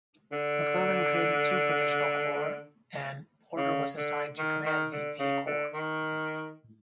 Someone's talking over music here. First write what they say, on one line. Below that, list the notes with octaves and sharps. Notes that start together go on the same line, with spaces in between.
McClellan created two provisional corps and Porter was assigned to command the V Corps.
D3
C#3
D3
D#3
D#3
D3
C#3
D3
D#3